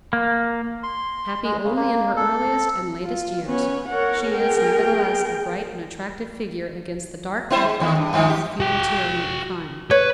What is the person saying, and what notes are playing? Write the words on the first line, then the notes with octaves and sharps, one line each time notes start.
Happy only in her earliest and latest years, she is, nevertheless, a bright and attractive figure against the dark background of feudal tyranny and crime.
A#3
C6
G#3
C#3
A#3
A4
F4
B3 C#4 C#5
B3 A#4 C#5 F#5
G#4 G5
B3 E4 C5
G#3
D#2 D#3
G2
G2 D#3 F3
G4
F#4 G5
B4 C#5